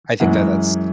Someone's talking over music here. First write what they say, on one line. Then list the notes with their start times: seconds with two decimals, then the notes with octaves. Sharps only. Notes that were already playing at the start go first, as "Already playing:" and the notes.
I think that that's
0.20 F#2 E3 G#3 F#5